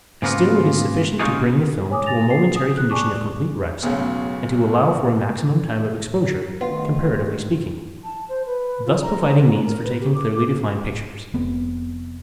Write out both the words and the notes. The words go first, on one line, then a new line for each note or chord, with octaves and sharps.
Still it is sufficient to bring the film to a momentary condition of complete rest, and to allow for a maximum time of exposure, comparatively speaking, thus providing means for taking clearly defined pictures.
G#2 C#3 A#3 B3 F4
A#3 C#4 D#4 F4 F#4 G#4
C#5 G#5 D6 D#6
G#5 A6 A#6 F7
C7
D#6
D#6 F#6
D5 G#5 A5 C#6 D6
B1 E2 A2 C#3 F#3
D2 D#3 B3 F4
A5
C5
B4
F4
A#5
C5
A#5
A#4
B4
G4
D6
D6
F1 B3 C4